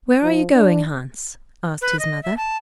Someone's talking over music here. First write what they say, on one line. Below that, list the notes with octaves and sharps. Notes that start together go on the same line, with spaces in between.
'Where are you going, Hans?' asked his Mother.
F3
D4
B4
D#5
E5
A5